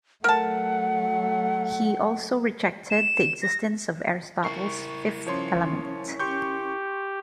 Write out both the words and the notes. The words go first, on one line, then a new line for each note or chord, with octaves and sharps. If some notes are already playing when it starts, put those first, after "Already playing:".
He also rejected the existence of Aristotle's fifth element.
F#3 A3 A#4 F#5 A5
E7
A#6
E4 A#4 C#6 C7
F3 C#4 C#5 C6
G4 C6 C#6 G6